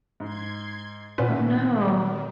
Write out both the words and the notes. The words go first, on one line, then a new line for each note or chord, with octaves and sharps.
Oh no.
G#2 C6 G#6
A#2 D#3 C#4 B4 F#5